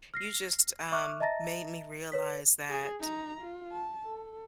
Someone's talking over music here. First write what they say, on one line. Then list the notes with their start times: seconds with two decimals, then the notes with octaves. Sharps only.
you just, um, made me realize that,
0.14 F6 A#6 C7
0.92 E5 C#6 D6 F6 F#6
1.20 D#5 E5 A5 A#5 A6 A#6
2.12 B4 C#5 B6
2.69 G#4
3.00 D#4 A#5
3.41 F4
3.72 A5
4.05 A4